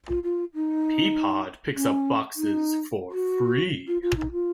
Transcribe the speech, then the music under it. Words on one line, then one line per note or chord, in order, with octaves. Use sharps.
Peapod picks up boxes for free.
F4
F4
D#4
C#4
D#4
F#4
F4
F4
D#4
F4